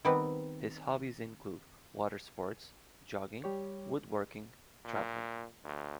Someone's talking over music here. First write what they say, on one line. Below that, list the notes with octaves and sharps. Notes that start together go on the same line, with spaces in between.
His hobbies include: water sports, jogging, woodworking, traveling.
D#3 G3 B3 C4 B4
G3 G4 C#5
A#2
D2